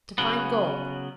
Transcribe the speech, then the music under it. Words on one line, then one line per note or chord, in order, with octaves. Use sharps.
To find gold.
C#3 F#3 B3